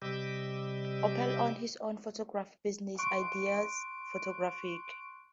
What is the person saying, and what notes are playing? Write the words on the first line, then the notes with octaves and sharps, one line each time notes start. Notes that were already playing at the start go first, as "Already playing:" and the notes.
Opel owned his own photography business, Ideas Photographic.
C3 G3 G4 D#5 D6 E6
C6 C#6 F#6 D7